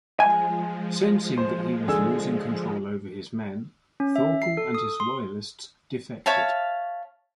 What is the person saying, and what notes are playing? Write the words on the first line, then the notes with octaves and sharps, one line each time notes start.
Sensing that he was losing control over his men, Thorkell and his loyalists defected.
F3 G#3 G#5
C5
D3 G#4 E6
C#4
E5
C7
A4
D#6
C6
C#5 E5 F5 A5